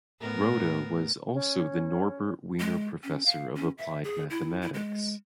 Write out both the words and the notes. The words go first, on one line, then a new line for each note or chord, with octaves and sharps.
Rota was also the Norbert Wiener Professor of Applied Mathematics.
A2 B3 A#4
C#4
G#3
C#4
F5
C#4
E5
G#4
E4
E4
G#3